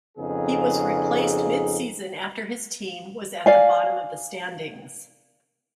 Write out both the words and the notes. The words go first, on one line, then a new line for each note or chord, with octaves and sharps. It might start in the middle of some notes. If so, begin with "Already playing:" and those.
He was replaced midseason after his team was at the bottom of the standings.
F2 C#3 B3 D#4 G#4
D5 F5 G#5